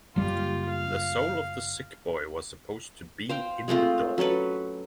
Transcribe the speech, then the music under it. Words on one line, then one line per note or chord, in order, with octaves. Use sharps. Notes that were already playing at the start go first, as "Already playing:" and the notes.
The soul of the sick boy was supposed to be in the doll.
F#1 G3 F4 G4
F5
C5 F5 G5
G#3 A3 C4 F4
F#3 C#4 A4 B4